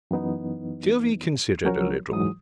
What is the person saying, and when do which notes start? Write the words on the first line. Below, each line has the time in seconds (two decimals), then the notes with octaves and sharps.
Sylvie considered a little.
0.11 F#2 E3 B3 D#4
1.65 F3 F#3 C#4 F#4 A#4 C#5
2.12 G#2 E3 F#3 D#6